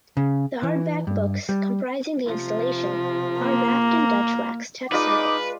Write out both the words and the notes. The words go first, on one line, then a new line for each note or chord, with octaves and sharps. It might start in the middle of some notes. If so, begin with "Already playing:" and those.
The hardback books comprising the installation are wrapped in Dutch wax textiles.
C#3
E3
G2
G3
C3 F3
A#3
G#3 D#4 F4 B4 D5 D6 D#6